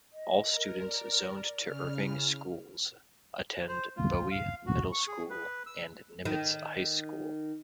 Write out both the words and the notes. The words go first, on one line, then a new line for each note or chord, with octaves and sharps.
All students zoned to Irving schools attend Bowie Middle School and Nimitz High School.
D#5
A#4
D5
C#3 F6
E4
C5
F4
F5
F#4
C#6
G#4
B4
E6
D#3